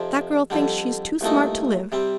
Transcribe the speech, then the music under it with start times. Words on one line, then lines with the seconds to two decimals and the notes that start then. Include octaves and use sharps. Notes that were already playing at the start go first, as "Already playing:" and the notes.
That girl thinks she's too smart to live.
Already playing: F2 C3 F3
0.50 F2 D3 G3
1.21 C2 A#2 A3 D#4
1.92 C3 G3 C4